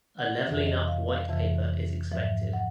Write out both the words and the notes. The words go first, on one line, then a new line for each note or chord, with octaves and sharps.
A Levelling Up white paper is expected.
F#5
F2 C3 E3 E5
D#5
F5
F5
F2 C3 E3 E5
G#2 F3 E5
F#5